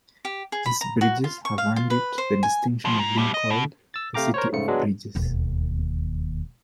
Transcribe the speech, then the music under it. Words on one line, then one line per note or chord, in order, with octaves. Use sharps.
These bridges have earned it the distinction of being called the "City of Bridges".
G4
G#4
B5
A#5
F#4
F4
C#6
F5
F4
B4
C5
G#5
B2 F3
A#2
B2 G3
D#5
B2
E6 A6
C3 A3 F5 G5 A#5 D6
A#4 C5 C#5
G#2 C#3 A3 C#7
F#3 G#3 B3 D4
E1 D#2